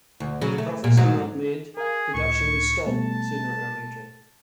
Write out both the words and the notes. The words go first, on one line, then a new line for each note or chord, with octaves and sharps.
If profits were not made, production would stop sooner or later.
D2
C#3 F#3
A3
A#2
G#2 F#3
G#4 A#4 F5
C#2 A2 C#6 G#6
B2 G3 A3 A5